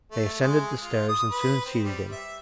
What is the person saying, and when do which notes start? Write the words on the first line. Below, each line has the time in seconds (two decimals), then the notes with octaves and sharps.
They ascended the stairs, and soon seated him.
0.11 A3
0.42 G#3
0.81 F4
1.09 D#6
1.31 B4
1.66 C4
1.84 G3
2.12 E5